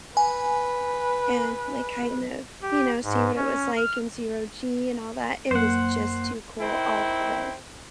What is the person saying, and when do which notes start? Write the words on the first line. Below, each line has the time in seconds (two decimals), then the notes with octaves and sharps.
and, like, kind of, you know, see what it was like in zero G and all that. It was just too cool. All of it.
0.17 B4 G#5
2.62 G4
3.03 G#2
3.36 C#4
3.77 F6
5.51 F#2 A#3 C5 F#5
6.61 D#3 C4 E4 G5